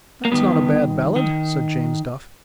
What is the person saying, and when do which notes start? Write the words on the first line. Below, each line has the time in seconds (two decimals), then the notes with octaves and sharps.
"That's not a bad ballad," said James Duff.
0.25 A#3
0.31 G2 D#3 B3
1.16 D#3